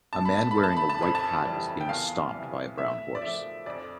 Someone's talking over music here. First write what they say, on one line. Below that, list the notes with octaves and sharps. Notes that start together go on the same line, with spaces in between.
A man wearing a white hat is being stomped by a brown horse.
B2 A5
B5
A5
B5
A3
A5
B5
A5
F2 B5
A5
E3 G3
G5
E2 F5
C3 E3 G3
A2 E5
D5
F3 A3 E5
F2 D5